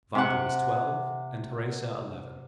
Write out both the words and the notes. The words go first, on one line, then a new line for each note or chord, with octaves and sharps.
Vampa was twelve, and Teresa eleven.
C3 F#5